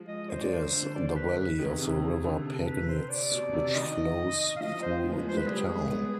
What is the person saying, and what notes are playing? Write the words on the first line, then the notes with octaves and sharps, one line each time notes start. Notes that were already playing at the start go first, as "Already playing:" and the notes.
It is in the valley of the River Pegnitz, which flows through the town.
Already playing: F3 G#3
D#5
C5
D5
C5
D3
D5
C5
B4
B4
D#3 G#4
C3
C3
C3
C3
D3
C3 D4
B4
C5
D5
B2
C3
D5
D#3 D#5
F5
F3 D#5
C5
F3
B3
G#3
C5
F3
B4
G3 G#4
G#3
B3